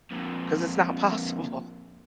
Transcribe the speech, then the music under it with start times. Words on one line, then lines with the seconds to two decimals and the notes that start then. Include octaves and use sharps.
'Cause it's not possible.
0.11 F2 A#2